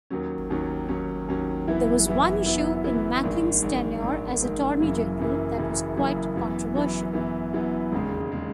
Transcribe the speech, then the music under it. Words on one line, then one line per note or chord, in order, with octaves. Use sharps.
There was one issue in Mackling's tenure as Attorney General that was quite controversial.
D#2 D#3 F#3 C#4
D#2 D#3 F#3 C#4
D#2 D#3 F#3 C#4
D#2 D#3 F#3 C#4
F#2 E3 B3 E4
F#2 E3 B3 E4
F#2 E3 B3 E4
F#2 E3 B3 E4
A#1 G#2 D#3
A#1 G#2 D#3
A#1 G#2 D#3
A#1 G#2 D#3
F#1 F#2 C#3 E3 A#3
F#1 F#2 C#3 E3 A#3
F#1 F#2 C#3 E3 A#3
F#1 F#2 C#3 E3 A#3
F#2 E3 B3
F#2 E3 B3
F#2 E3 B3
F#2 E3 B3
E1 D#2 C#3 G#3
C#3 G#3